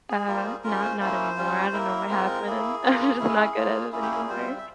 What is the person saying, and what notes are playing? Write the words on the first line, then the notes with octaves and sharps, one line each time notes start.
uh, not not anymore, I don't know what happened. I'm just not good at it anymore.
G#4
G3 A#3 F4 A#4
C5
G#4
G#3 C#4 F4 A#4
C5
A#3 C#4 E4 C5
G3 C#4 F4
A#3 E4 A#4
G#3 C4 F4
A#3 E4 G#4
A#3 F4
G#3 C#4 E4
A#3 F4
A#3 C#4 E4 G#4
G4
G#4
G3 C4 F4 C5
E5
E5